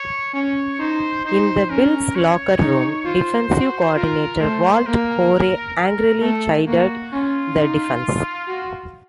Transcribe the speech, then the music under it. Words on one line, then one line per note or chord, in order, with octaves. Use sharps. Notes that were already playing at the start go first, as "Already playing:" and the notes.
In the Bills' locker room, Defensive Coordinator Walt Corey angrily chided the defense.
Already playing: C#5
C#4 C#5
D#4 C5
D#4 C5
C#4 A#4
C#5
D#4
F4 C5
F#4
F4 A#4
A3 C5
A#3 A#4
A#4
A3 A4
A#3 F#4
C#4 F4
D#4
F#4